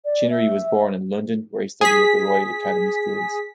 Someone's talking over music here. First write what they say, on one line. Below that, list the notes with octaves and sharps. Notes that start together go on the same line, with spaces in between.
Chinnery was born in London, where he studied at the Royal Academy Schools.
D5
E5
G#4 B6